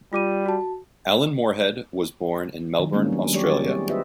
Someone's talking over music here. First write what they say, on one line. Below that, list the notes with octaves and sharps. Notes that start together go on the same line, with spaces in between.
Alan Moorehead was born in Melbourne, Australia.
G3 F4 D6 D#7
F#4 A5
D#3 F#3
G3 G#3 A#3 B3 C#4 D4
F#3
F#3 G3 G4 C#5 D5
G3 C4 E4 G#4
F4 G4 B4 C5 D#5 E5